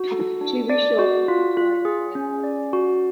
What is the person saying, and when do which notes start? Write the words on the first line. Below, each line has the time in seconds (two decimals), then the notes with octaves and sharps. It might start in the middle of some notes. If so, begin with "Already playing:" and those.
To be sure,’ rejoined the landlord.
Already playing: F#4
0.12 A4
0.41 D4
0.70 D5
0.99 F#4
1.28 F4
1.57 F4
1.85 G#4
2.15 C#4
2.43 D5
2.73 F#4